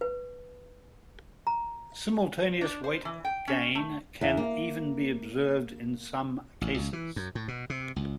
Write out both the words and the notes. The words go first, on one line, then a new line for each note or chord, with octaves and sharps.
Simultaneous weight gain can even be observed in some cases.
B4
A#5
D4
C5
E3
G5
C#4
A3
E2
A#3
A1
C#2
E3
F#2
A2
B2
C3
C#2